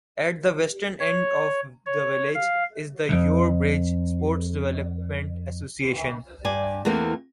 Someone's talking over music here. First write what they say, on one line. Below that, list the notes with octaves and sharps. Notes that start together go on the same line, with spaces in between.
At the western end of the village is the Yorebridge Sports Development Association.
C#5
C#5
F5
C2 F2
G2 D5 G#5
E2 E3 A3 A#3 C4